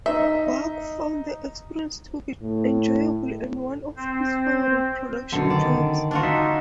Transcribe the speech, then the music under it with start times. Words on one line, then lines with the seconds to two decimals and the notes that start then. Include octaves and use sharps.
Buck found the experience to be enjoyable and one of his favorite production jobs.
0.06 D#4 E5
2.42 A2
3.97 C4 C5
5.32 F#2 B2 D3 D#3
5.50 D#3 D5
6.11 D4 F4 F#4
6.23 D#4 E5